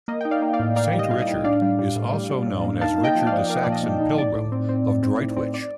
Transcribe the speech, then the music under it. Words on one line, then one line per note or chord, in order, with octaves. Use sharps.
Saint Richard is also known as Richard the Saxon Pilgrim, of Droitwich.
A#3 D#5
D#4 G5
D5 F5
A#3
D5 F5
A2
D#4 D5 F5
G3
D#5
A2 F5
D#5
A2
D4 D5 F5
G3
G3
A2
G3
G3
A2
A#3
D#4 F5 A5
A#3
D#5 G5
F3
D5 F5
F3
A#3 F5
D#5
A#2 D5
D#5
A#2
D#4
A2 D5
A2
C4
C4
A2
C4
A2
C4
D5